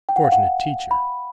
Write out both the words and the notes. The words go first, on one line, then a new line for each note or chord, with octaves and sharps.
Fortunate teacher!
G5
F#5
F5
F#5
B5